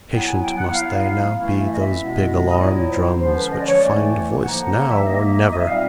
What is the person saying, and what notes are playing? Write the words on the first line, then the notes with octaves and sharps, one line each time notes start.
Impatient must they now be, those big alarm-drums, which find a voice now or never!
F#3 B3 E4 G5
G#5
G5
F#5
F#3 B3 E4 F5
F#5
F5
E3 A3 C#4 E4
E5
D#5
E5
B2 G#3 B3 E4
D#5
D#5
A#2 F#3 B3 E4 D5
C#5
C5
D3 F3 G#3 C#4 C5
B4
D#5
D5
C#5
D5
A2 E3 A3
D3 F3 A#3 D#4 F#5
F#5
F#5
E5
F#3 A#3 D#4 D#5
E5
D#5
E5
A#2 G3 C4 D#4 F5